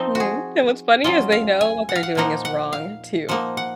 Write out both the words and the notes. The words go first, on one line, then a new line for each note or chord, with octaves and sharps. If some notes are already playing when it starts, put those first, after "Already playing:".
Mhm. And what's funny is they know what they're doing is wrong too.
Already playing: F3 C4 D#4
F#4
G#4
F#3 C#4 F4 D#5
F5
G#5
F#5
F5
F#5
A#2 F3 A#3 D#4 F#5
F#5
F5
F3 A#3 D#4 F#5
F#5